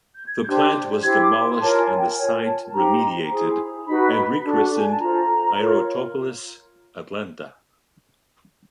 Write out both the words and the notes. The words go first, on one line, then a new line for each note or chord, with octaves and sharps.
The plant was demolished and the site remediated, and re-christened Aerotropolis Atlanta.
G6
G#6
D4 G4 C5 G6
G6
E4 G4 C5 G#6
D6
C6
F4 A#4 C#5 A5
A5
G#5
G5
F4 A#4 C#5 G#5
A5
D#4 G4 C5 A#5
E4 G#4 C5
D#4 F#4 B4 B5
D4 F#4 A4
G#5
A5
F4 A4 C5 A#5
F4 A#4 C#5